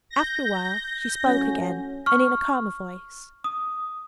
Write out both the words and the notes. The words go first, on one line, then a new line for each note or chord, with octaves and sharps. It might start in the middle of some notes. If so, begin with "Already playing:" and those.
After awhile, she spoke again, and in a calmer voice.
G6 A#6
A2 F#3 C#4
C#6 F6
D#6